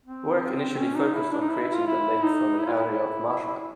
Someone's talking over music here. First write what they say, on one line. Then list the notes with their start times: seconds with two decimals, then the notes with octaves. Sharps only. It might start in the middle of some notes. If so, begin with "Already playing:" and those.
Work initially focused on creating the lake from an area of marshland.
0.06 C4
0.78 C#4
0.96 D#4
1.14 E4
1.32 D4
1.40 D#4
1.50 E4
1.62 E4
1.75 F4
1.87 E4
2.23 D#4
2.59 E4
2.67 F4
2.73 E4